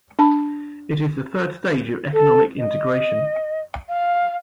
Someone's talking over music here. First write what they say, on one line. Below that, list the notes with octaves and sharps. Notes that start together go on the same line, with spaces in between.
It is the third stage of economic integration.
D4 A5 B5
A4
D#5
F5